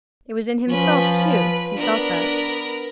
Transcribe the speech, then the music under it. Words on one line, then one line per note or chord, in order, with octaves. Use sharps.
It was in himself too, he felt that.
F3 C#4 B4
B4
B3 D4 A#4